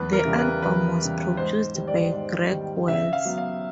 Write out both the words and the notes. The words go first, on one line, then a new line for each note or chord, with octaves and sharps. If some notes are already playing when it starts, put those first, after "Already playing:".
The album was produced by Greg Wells.
Already playing: E2 B4
A#4
C#3 E3 G3
B4
E2 B4
C#3 E3 G3
G#2 C5
D#3 G3
D5
G#2
D#3 G3
C#3 E5
F5
F#3 B3
F5